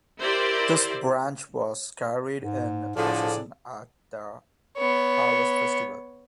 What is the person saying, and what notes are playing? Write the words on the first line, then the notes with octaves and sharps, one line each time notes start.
This branch was carried in procession at a harvest festival.
E4 G4 A#4 C5 D5
G#2
A2 D3 F3 G#4 A4 D5
B3 C#5